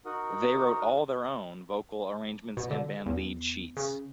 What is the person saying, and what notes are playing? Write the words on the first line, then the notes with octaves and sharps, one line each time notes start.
They wrote all their own vocal arrangements and band lead sheets.
D#4 F#4 A#4 F#5 D#6
B2
D3
E2
C#3